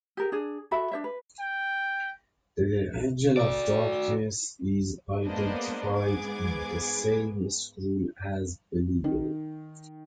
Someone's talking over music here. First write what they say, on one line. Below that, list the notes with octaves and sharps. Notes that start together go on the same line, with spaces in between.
The Angel of Darkness is identified in the same scroll as Belial.
G4 G#4 A#4
D4 G#4
F#4 A4 E5 B5
D4 C5 E5
B4
G5
F#4 D5
G#3 A#3 B3 D4 C5 D#5
G#2 B3 G#4 D6 G#6
D#3